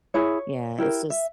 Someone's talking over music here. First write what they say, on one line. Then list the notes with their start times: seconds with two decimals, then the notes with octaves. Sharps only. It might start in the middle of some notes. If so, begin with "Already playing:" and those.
Yeah, it's just
0.14 E4 G#4 C#5
0.78 E4 G4 A#4
1.10 E5